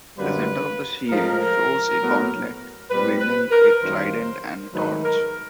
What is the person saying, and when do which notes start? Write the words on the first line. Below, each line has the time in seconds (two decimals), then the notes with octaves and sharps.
The center of the shield shows a gauntlet wielding a trident and a torch.
0.18 F#2 D3 G3 A#3 B4
1.09 A2 F3 G#3 A#4
2.00 A2 F#3 B3
2.91 A#2 G3 C4 B4
3.20 B4
3.51 A#4
3.81 F#2 D#3 G3 A#3 C5
4.73 G#2 D#3 F#3 A3 B4
5.03 A#4